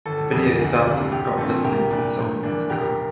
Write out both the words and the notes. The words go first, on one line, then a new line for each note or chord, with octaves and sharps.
The video starts with Scott listening to the song in his car.
G1 A4
F2 E3 A#3
D2
C3 G3 D4
A1 G4
G2 E3 A3 C4 A4
C2 G4 A#4
A#2 G3 D4
G2
E3 A#3 D4
F1 G4 A#4